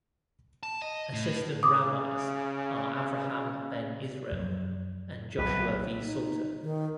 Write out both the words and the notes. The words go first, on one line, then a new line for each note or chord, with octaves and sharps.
Assistant rabbis are Avraham Ben Israel and Joshua V. Salter.
A5
D#5
A2
C#3 D6 D#6
F#2 F3
B1 A2 B4
D#4
D#3